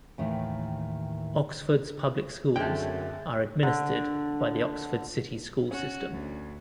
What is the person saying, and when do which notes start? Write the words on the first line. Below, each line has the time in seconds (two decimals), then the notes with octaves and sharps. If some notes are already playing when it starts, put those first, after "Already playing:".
Oxford's public schools are administered by the Oxford City School System.
0.18 D#2 A2 D#3 E3
2.56 F#2 D3 G#3 A3 C4 G5
3.63 D3
5.71 C#4 F#4
6.11 D2